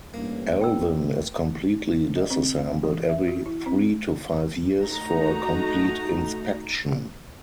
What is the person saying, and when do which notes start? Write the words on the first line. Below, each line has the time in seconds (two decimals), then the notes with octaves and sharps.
"Alvin" is completely disassembled every three to five years for a complete inspection.
0.14 A1 G2 A#3
0.61 G5 E6
2.16 D#5
2.30 C4
2.58 F5
2.83 E3
3.09 E5
3.28 F#4
3.46 E4
3.66 C4
4.84 A3 D#4 F#4 A#5